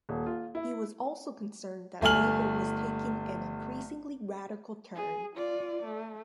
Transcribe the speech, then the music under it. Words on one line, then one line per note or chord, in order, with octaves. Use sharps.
He was also concerned that Labor was taking an increasingly radical turn.
D#1
F4
E4
G1 A3 G#5 F6 F#7
G#4
F4 D5
A3